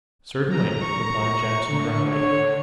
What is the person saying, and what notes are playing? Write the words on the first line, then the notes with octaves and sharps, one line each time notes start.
'Certainly,' replied Jackson drily.
A#5
C#6
D3
C#5